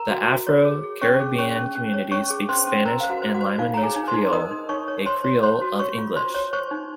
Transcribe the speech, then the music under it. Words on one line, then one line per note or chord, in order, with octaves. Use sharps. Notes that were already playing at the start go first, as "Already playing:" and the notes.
The Afro-Caribbean community speaks Spanish and Limonese Creole, a creole of English.
Already playing: A#4 A#5
F#4
F#4
C#5
G#4
G#4
C#4 C#5 C#6
G#4
C#4 C#5 C#6
C#4
C#4
C#5
C#4 C#5 C#6
G#4
C#4 C5 C6
C#4
A#4 C5 A#5
C5 F5
F#4 F#5
C5
F#4 F#5
C5
D#4 F4 F5
C#5 A#5
G#4 G#5
D#4
C5 C6
D#4
A#4 D#5 D#6
D#4
D#4 C#5 C#6
C#5
C5 C#5 C6
C#5
C5 C#5 C6
F#4
C#5 C#6
F4
F4 C5 C6
C#5
C5 C#5 C#6
D#4